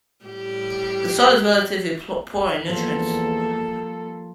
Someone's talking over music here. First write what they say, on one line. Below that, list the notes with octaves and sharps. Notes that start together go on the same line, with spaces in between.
The soil is relatively poor in nutrients.
A2 G3 G4
E2 F3 G3 A#3 A4